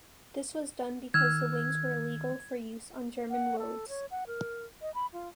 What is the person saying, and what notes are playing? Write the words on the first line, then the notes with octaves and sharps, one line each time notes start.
This was done because the wings were illegal for use on German roads.
D#3 E6 F6 G#6
F#5
A4
C#5
F#5
A#4
D#5
B5
F4